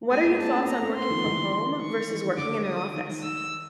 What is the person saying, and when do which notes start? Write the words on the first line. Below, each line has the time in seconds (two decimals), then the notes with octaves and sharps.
what are your thoughts on working from home vs. working in an office?
0.11 G#3 A#3 G#5
0.25 G#3 A#3
0.39 A#3 C4 A5
0.53 B3 C#4
0.68 B3 C#4 A#5
0.82 A#3 C4
0.96 A3 B3 C6
1.10 D#3 F3
1.24 D3 E3
1.81 D#3 C#6
2.10 E3
2.24 D#3
2.37 D3 D6
2.65 D#6
2.94 D#3
3.09 D#3
3.23 D#3 E6